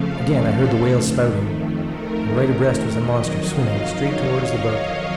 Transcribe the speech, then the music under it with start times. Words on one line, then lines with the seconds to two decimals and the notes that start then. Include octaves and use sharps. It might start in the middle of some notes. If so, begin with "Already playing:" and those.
Again I heard the whales' spouting, and right abreast was a monster swimming straight toward the boat.
Already playing: F2 C#3 F3 A3 F5
0.35 A4
0.87 F2 D#3 A3
1.90 A#4
2.92 F2 D#3 F#3 D#5
3.44 F5
3.96 C#5